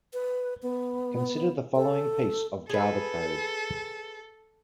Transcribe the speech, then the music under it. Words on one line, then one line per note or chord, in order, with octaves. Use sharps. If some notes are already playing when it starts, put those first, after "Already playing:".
Consider the following piece of Java code.
B4
B3
A4
G#4 A4 B4